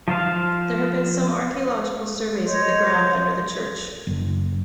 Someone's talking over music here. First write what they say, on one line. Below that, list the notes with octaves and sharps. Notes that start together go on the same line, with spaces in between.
There have been some archaeological surveys of the ground under the church.
F3 F4 C5 F5
C5 C#5 D#5
F#1